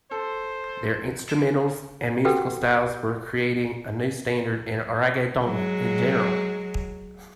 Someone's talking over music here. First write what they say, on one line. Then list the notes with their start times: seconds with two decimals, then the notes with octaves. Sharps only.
Their instrumentals and musical styles were creating a new standard in reggaeton in general.
0.11 A4 C5
2.25 F#4 G4 A4 B4 F#5 G5
5.44 F#3 G#3